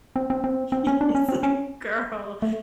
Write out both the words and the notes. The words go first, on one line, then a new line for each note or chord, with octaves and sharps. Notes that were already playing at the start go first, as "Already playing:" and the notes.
he's like, "Girl,
C4
C4
C4
C4
C#4
D4
C#4
C4
C#4
A3